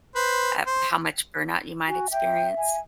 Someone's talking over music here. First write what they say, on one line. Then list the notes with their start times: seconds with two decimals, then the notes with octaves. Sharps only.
uh, how much burnout you might experience?
0.16 B4 C5
0.66 C5
1.88 F#4 G#5
2.11 E5 G5
2.57 G#5